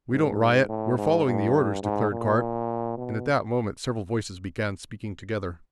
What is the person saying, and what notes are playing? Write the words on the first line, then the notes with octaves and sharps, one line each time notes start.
"We don't riot, we're following the orders," declared Karp, and at that moment several voices began speaking together.
G#2
A2
G#2
G2
G#2
A#2
B2